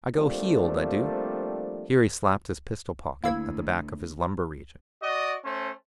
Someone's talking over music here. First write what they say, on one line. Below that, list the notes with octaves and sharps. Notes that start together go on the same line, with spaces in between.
I go heeled, I du!' Here he slapped his pistol pocket at the back of his lumbar region.
F3 G3 A3 A#3 C4 D4
D2 A#3 E4 F5 E6 G#6
F#4 D5 D#5
A3 C#4 C5